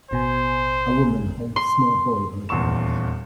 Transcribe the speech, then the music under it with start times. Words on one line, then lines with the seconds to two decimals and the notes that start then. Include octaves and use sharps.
A woman holds small boy on a couch.
0.11 A1 B2 C5 G#5
1.56 C6
2.49 D#1 E2 C6 C#6 E7